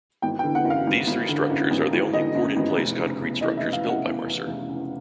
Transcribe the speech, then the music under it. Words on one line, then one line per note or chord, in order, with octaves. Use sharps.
These three structures are the only poured-in-place concrete structures built by Mercer.
G#1 G5
G5
D3
F#5
F#2
F5
G#1
G#1
D3
F#2
G#1
G#1
D3 D#5
F#2
G#1
F1
C#3
E2
E3 D#5
E5
F1
F5
C#3
F#5
E2
E3
F1
C#3